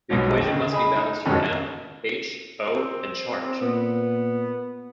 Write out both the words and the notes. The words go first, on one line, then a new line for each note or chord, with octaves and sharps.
The equation must be balanced for M, H, O and charge.
B1 G#2 B2 C#5
D#2
C#3
G#4 D#5 B5
D#4
G#1 F2 G#2 B2 D#3 C#4
C4
A#2 B3